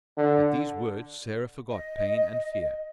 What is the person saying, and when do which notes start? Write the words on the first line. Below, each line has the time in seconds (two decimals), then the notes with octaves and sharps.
At these words Sarah forgot pain and fear.
0.17 D3
1.69 D#5